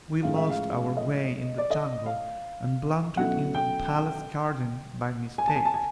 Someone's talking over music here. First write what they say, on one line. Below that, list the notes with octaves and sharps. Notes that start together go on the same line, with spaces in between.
"We lost our way in the jungle and blundered into the palace-garden by mistake."
A2 F3 G#3 C#4 E4 F5
E5
F5
D#5
D5
D#5
F5
B2 F#3 A3 C#4 E4 F#5
G5
G#5
A5
G#5
A5
G#5